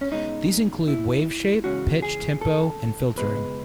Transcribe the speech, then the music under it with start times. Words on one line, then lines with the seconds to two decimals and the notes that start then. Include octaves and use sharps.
These include wave shape, pitch, tempo, and filtering.
0.01 C#4
0.11 B2 G#3 C#4 D#4
0.88 E4
1.64 E2 C#3 G#3 C#4 F#4
2.02 G#4
2.41 A4
3.18 C#2 B2 G#3 B4